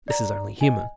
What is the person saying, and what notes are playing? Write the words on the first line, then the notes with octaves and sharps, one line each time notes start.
This is only human.
D5 A#5
D#5 G#5